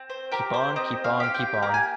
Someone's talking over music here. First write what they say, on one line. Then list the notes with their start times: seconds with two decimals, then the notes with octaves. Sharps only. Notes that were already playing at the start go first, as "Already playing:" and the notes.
Keep on, keep on, keep on.
Already playing: C4
0.10 C5
0.32 G4 A#4
0.54 C5
0.76 C4 D#5
1.04 F5
1.20 G4 F5
1.34 G5
1.63 A#3 A#5
1.74 G#5